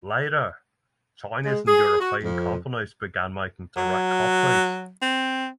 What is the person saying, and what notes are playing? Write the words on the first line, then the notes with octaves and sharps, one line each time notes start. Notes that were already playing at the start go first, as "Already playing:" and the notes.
Later Chinese and European companies began making direct copies.
G#3
G#4
F#4
F2
F#3
C4